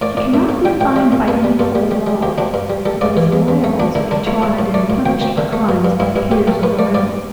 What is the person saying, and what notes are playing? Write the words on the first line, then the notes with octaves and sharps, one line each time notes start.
She cannot be fined by any court of law; but is liable to be tried and punished for crimes by peers of the realm.
A2 D5
A2 D5
A2 E5
A2
G3 G5
A2 G5
G3 E5
A2
G2 B4
G3
G2 A4
G3
G3
G3
D2 G4
D2 D4
G2
G3
G3 A4
G2 D5
E3 E5
E2
E2
A3 E5
D2 D4
D3 E4
D3 D4
A3 E4
A2 E4
A2
A3 D5
A2
D2 G5
D2
D3 E5
A3
G2
G2
G2 E4
G2 E4
A2 G4
A2 A4
A2 B4
A3 D5
G2 D5